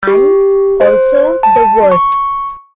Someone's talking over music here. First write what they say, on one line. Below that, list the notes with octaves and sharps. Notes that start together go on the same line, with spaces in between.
And also the worst.
G4
C5
A5
C#6